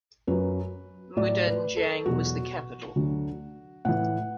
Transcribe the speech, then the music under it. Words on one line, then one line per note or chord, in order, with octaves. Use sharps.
Mudanjiang was the capital.
F#2 F#3 B4
A2 F#3 D5
B4
A4
E2 B2 F#3 F#4
D2 D3 F#3
A2 E3 F#5